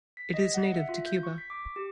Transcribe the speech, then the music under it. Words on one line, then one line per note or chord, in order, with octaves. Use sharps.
It is native to Cuba.
B6
D#5
F#5
E5
F4
G6
C#6
B6
D6
G4